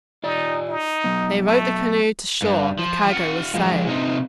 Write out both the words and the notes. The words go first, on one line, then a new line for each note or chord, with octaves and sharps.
They rowed the canoe to shore and the cargo was saved.
D#4 F4 G4 D5
D#4
F#3 B3
A3
G2
F3
F4 F#5
F3 G#3
C3 D#4